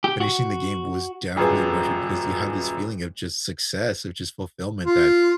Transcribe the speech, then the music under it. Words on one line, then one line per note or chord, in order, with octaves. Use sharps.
finishing the game was definitely worth it, because you have this feeling of just success, of just fulfillment that,
G4
F#4
D#1 F#2 G#4 B4
F4